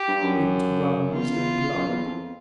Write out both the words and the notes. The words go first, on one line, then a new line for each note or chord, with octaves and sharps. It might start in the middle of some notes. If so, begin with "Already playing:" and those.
It runs in the blood.
Already playing: G4
G2
F#2
E2 F4
E2
F#2
E2
F2